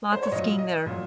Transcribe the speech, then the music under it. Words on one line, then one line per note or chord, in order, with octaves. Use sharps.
lots of skiing there,
C5
C#5
A#2 F#3 D#5
D#5
A#2 F#3